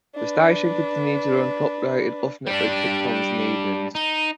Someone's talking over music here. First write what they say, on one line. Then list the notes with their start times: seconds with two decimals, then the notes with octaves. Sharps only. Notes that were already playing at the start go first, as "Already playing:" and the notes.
The station continued to run top rated off-network sitcoms in the evenings.
0.15 D4 B4
2.47 G3 D4
3.95 D#4